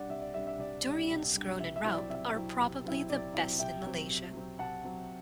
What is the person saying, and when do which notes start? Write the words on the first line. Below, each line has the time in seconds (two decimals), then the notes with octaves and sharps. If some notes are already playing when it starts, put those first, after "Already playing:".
Durians grown in Raub are probably the best in Malaysia.
Already playing: G3 D4 D5 F#5
0.10 C3 E5
0.22 D5
0.34 G3 D4 E5
0.47 E5
0.59 C3 D5
0.85 G3 D4
1.10 C3
1.34 G3 D4
1.60 C3 E5
1.76 E5
1.84 F#3 C4 E4
1.93 D5
2.09 C3 E5
2.35 F#3 C4 E4
2.60 C3
2.84 F#3 C4 E4
3.10 C3 D5
3.34 F#3 C4 E4
3.59 C3 E5 G5
3.84 F#3 C4
4.09 C3
4.34 F#3 C4
4.59 C3 F#5 A5
4.84 F#3 C4